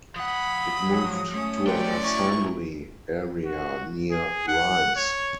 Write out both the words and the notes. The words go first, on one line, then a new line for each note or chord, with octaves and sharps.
It moved to an assembly area near Rheims.
F3 F#5 B5 D#6
G#2 F#3
A3 C#4
F#3 C5 D5 G5
F#3 E4 C#6
F#4
G#4
F#5
C#5